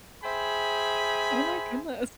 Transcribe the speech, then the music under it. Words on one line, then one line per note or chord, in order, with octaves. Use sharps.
Oh my goodness.
G#4 C5 E5 G5 G#5 B5